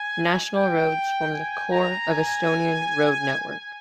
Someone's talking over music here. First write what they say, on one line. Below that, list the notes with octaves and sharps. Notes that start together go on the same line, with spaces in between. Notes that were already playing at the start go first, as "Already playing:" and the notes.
National roads form the core of Estonian road network.
Already playing: G#5
G5
G#5
A#5
G#5